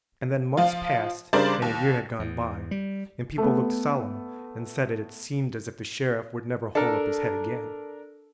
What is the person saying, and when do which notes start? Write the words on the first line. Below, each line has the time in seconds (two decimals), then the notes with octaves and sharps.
And then months passed and a year had gone by, and people looked solemn and said that it seemed as if the Sheriff would never hold up his head again.
0.57 F3 F4
1.33 C#3 G3 D4 A#4 C5 D5
1.62 D#2
2.19 E2
2.71 G3
3.38 A3 B3
6.75 D4 A4 A#4